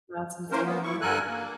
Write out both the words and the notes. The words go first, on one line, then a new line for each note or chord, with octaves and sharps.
That's insane to me.
E3 A#3 C#4 A#4 C5
A#3 B3
E4 C#6
G2 D3 A4 A#4 G#5 F#6
A#3